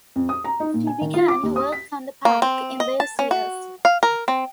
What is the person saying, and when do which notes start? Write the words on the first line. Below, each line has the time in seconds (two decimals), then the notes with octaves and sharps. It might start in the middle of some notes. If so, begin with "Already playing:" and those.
She began work on the park in those years.
0.16 F2
0.29 D#6
0.44 A#5
0.60 D#4
0.74 A#2
0.87 G#5
1.01 D#3
1.14 F4
1.28 D6
1.43 D#2
1.56 D#6
1.72 B6
2.25 A#3
2.42 C4
2.80 D#5
3.00 A5
3.19 C#4
3.31 F#4
3.85 F5
4.03 A#4
4.28 C4